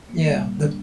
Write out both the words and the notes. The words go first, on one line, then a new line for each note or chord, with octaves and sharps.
Yeah. The b
A#3
G3
A#2
D4